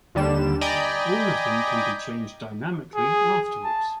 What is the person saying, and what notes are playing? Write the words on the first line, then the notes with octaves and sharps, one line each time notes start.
All of them can be changed dynamically afterwards.
D#2 D3 G3 E7
D5 D#5 G5 G#5 A#5 B5
G#4
A5